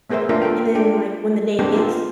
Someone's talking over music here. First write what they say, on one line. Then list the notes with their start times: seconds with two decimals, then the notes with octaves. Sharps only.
and then, like, when the day hits
0.10 A3 B3 G#4 A#4 C5 E5
0.29 A3 A#3 D4 F4 A#4 F5
0.42 A3 A4 A#4 G5
0.75 D4 F4 D5 G5
1.59 B3 C4 D4 G4 G#4 A#4
1.74 A#3 D#4 F4 A4